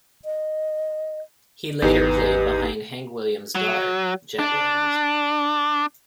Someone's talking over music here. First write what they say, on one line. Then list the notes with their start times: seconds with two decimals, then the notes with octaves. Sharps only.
He later played behind Hank Williams' daughter Jett Williams.
0.25 D#5
1.82 G#1 E2 D#4 G4 B4 C7
3.55 F#3
4.39 D4